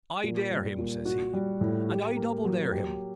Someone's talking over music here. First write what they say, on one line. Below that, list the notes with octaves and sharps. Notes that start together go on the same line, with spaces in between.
I dare him, says he, and I doubledare him.
A#2
G3
A#2
F#4
G3
A2
G4
A#3
F#3
G4